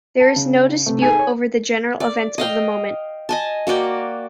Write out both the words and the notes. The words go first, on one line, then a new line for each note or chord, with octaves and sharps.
There is no dispute over the general events of the moment.
A5
C#3
C3 A3
D#4 G#4 A4 G#5
C#5
D5
D#5 F5 G5
D#5 G#5 A5
A#3 F#4 D5 G5